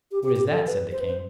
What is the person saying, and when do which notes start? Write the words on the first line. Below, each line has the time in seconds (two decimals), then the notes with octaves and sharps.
"What is that?" said the king.
0.12 G4
0.23 G4
0.36 G4
0.48 A4
0.67 B4
0.92 C5
1.00 B4
1.09 C5